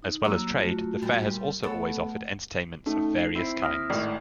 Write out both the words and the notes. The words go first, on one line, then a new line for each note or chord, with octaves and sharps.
As well as trade, the fair has also always offered entertainments of various kinds.
D#4
F#3 A#3 E6
A3 F4 F#4
A#2 G3
A3 B3 A4 C#5 F#5
A3 C#4 D#4 A4
C7
C4 E4
D#6 F6 A#6
G#1 A2 D5